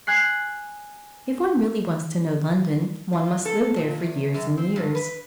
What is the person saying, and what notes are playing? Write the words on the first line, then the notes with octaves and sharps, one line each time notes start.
If one really wants to know London, one must live there for years and years.
G#5 F#6 C7
F4
A4
A#2
E2
F#2
C4
G2
B4